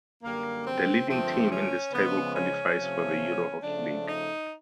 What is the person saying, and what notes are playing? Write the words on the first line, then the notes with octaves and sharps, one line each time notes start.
The leading team in this table qualifies for the Euro Hockey League.
F#2 D3 G3 A#3
C4
G2 D3 F3 A3 C4
C#4
C#3 F3 G#3 B3
C#4
C3 F3 A3
C#3 F3 A3 D4
D#4